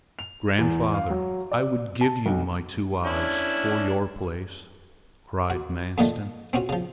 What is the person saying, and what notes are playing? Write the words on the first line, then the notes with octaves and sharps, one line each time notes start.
"Grandfather, I would give you my two eyes for your place!" cried Manstin.
F7
E2
F5
F#3
D5
A5
B1
C#4 D4 E4
F#4
F2 A#2 D3 D#3 A3
C4 C#4 F4 F#4
C#3 F3